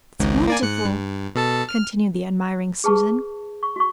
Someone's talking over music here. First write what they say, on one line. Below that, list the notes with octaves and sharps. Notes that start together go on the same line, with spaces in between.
"It's wonderful," continued the admiring Susan.
G#1 C#2 G#2
A#3 D5 G#5
G#2 F#6 C#7
G2
B2 A4 A5
F6
G#4 B4 A5 C#6
C#6
F#4 C#6